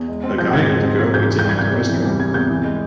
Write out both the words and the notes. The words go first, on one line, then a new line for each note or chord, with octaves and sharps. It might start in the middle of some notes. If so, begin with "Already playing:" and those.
A guy and a girl eating at a restaurant.
Already playing: E2
G#3
C4
F3 G6
G#2 G#6
G#3
C4
F3 G#6
G#2 G6
E3
G6
G3 G#6
C3 G6
E2
E3
G3
C3 G#6
E2 G6
E3
G#3